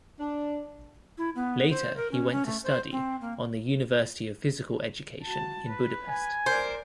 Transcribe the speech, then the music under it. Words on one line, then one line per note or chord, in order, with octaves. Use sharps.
Later he went to study on the University of Physical Education in Budapest.
D4
E4
B3
C5
A#4
C#4
C#4
A3
C5
C4
A#3
F#4 A5
B4
G#5
A#4 C5 D5